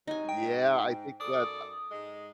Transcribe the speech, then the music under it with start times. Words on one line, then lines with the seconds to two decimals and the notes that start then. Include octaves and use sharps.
Yeah, I think that, uh
0.07 C3 F#3 D#4 G#5
0.29 G#2 G5
1.21 F#2 A4 D5 D#6
1.91 G#2 G#3